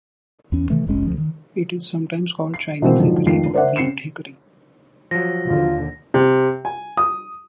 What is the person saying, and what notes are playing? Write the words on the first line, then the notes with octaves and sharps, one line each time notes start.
It is sometimes called Chinese hickory or beaked hickory.
E2 C#4
C3 D#3 E3 A3
F1 A#1 G#3 C#4
D2 F3
D#3
C7
B2 E3 G#3 A#3 C4
F2 G#2 D3 F3 F#3
F1 F2 G#2 D#3 F4 C7
A#4 C5 D5 E5 F#5
C#3 C4 C7 C#7 E7
F3 F#3 A#6
D#2 D3 F4
C3
G#5
D#6